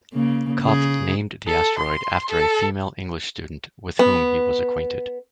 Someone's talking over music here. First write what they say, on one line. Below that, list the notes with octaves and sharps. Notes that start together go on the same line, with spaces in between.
Kopff named the asteroid after a female English student with whom he was acquainted.
C#3 A#3
C#3 G#4
A4
C6
A4
B3